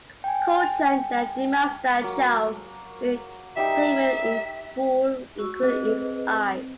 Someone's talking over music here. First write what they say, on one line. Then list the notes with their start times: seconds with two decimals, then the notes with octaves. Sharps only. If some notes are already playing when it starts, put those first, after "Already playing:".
Ko Chun then demands that Chau make payment in full, including his eyes.
0.24 G5 G#5
2.01 F#3 A#3
3.57 G3 D#4 G4 E5
5.38 F#4 C#6 E6
5.63 C4 G#4 B4 D#5